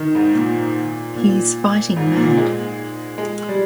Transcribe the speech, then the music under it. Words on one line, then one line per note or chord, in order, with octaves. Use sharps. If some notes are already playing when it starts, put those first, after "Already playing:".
He's fighting mad!
Already playing: D#3
G#2
A#2
A#2
G#2
A#2
G#3
G#3
G3